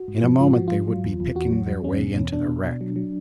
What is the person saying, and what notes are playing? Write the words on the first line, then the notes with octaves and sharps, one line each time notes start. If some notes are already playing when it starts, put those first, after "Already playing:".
In a moment they would be picking their way into the wreck.
Already playing: F#4
G#2
F3
G#2 F4
F3 F#4
G#2 F4
F#3
E2
E2
E2 F#4
F#3
F#3
E2 C#4
B2
E2
B2 D4
B2
B2
F#3
F#3